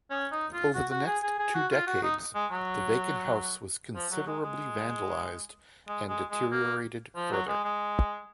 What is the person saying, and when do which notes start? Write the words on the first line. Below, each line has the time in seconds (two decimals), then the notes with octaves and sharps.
Over the next two decades, the vacant house was considerably vandalized and deteriorated further.
0.11 C#4
0.31 D#4
0.53 F4
0.74 F#4
0.91 F#4
1.07 G#4
1.23 G#4
1.39 G#4
1.55 F#4
1.71 F4
1.87 F#4
2.03 D#4
2.35 G#3
2.51 F#3
3.95 F3
4.11 F#3
4.27 G#3
4.43 G#3
5.88 G#3
6.09 G#3
6.31 G#3
6.51 A#3
7.16 F3
7.32 F#3
7.48 G#3
7.64 G#3